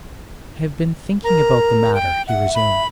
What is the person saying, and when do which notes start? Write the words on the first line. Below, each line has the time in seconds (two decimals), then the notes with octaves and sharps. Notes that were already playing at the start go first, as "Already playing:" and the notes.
"I have been thinking about the matter," he resumed.
1.24 A#4 A#5
1.94 G5
2.28 E5 F#5
2.55 B5